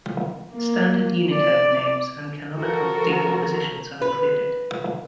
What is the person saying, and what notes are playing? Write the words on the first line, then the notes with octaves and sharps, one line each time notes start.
Standard Unicode names and canonical decompositions are included.
A#3
D5
F3 F#4 A4 A#4
B4